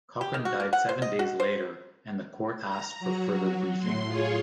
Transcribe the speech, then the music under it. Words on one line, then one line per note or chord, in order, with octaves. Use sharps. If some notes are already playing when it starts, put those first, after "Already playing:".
Cochran died seven days later and the court asked for further briefing.
G4
D#3
F#4
A#3
F#5
C5
D#5
F#4
C5
A#5
F#3 F#4
A2 C6
F4 G#4 C#5